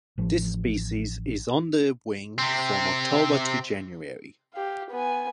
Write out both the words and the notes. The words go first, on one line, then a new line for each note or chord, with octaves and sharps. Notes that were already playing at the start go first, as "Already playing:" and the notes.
This species is on the wing from October to January.
A1 F3
C3 C4
G4 F5
B3 G#5